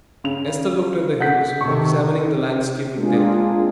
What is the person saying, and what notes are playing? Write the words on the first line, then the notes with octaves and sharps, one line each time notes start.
Esther looked at the hills, examining the landscape intently.
C#3 F7
F#5 G6 B6
C3 D#3 A4 C#6
G#3 A#3 C4 D4 F4 G#4